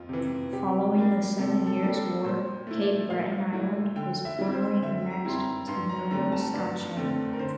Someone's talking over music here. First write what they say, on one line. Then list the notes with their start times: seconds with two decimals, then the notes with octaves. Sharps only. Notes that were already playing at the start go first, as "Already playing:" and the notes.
Following the Seven Years' War, Cape Breton Island was formally annexed to Nova Scotia.
Already playing: F2 F4
0.09 C3 E3
0.53 C3 G4
0.95 G3 A#3 D4
1.39 C3 A4
1.67 A4
1.82 G3 A#3 D4
1.95 A4
2.25 A#2 C5
2.67 A3 E4
2.81 D5
3.10 A#2 F5
3.53 A3 E4
3.96 D3 G5
4.25 E5
4.39 G3 C4 E4
4.53 C5
4.82 D3 E5
5.10 A#5
5.25 G3 C4 E4 C6
5.39 A#5
5.67 G2 C6
5.89 A#5
6.11 D3 A3 C4 A#5
6.32 A5
6.53 G2 D5
6.97 D3 A3 C4
7.33 A#4
7.39 D3 C5